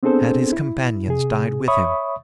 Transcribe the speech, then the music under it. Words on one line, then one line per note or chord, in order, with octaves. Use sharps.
Had his companions died with him?
B3 C4 D4 G#4 A4 C5
E4
C3 G#4
C#5 E5 B5 C#6 D#6